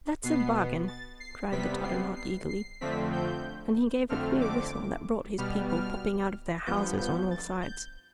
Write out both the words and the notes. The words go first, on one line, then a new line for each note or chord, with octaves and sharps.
"That's a bargain!" cried the Tottenhot eagerly, and he gave a queer whistle that brought his people popping out of their houses on all sides.
B2 B3 C7
A6
C7
C3 G3 B3 B6
C7
C7
C7
F2 D3 F3 A3 C4 B6
G6
F2 D3 A3 C4 F6
D6
B2 G3 B3 F6
F6
G2 F3 B3 G6
G6
A6
G6